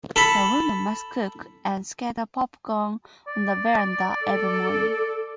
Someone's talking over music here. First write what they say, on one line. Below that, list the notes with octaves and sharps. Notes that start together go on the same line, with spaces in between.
The woman must cook and scatter popcorn on the verandah every morning.
A4 A5 B5
D5
A4